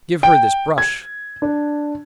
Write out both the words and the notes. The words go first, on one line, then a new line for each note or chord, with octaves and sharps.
Give her this brush.
G5
G#6
D4